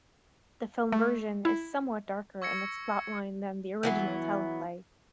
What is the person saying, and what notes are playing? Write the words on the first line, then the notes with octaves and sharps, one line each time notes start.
The film version is somewhat darker in its plotline than the original teleplay.
A3
E4
C#6 E6 G#6 A#6 C#7
E3 F#3 B3